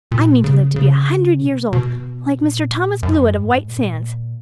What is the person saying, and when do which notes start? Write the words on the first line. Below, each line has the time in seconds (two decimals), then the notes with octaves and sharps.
I mean to live to be a hundred years old, like Mr. Thomas Blewett of White Sands.
0.12 A#2
0.44 C#3
0.76 C#3
1.41 B2
1.73 B2
2.38 A#2
3.03 F#2
3.35 G#2
3.68 A#2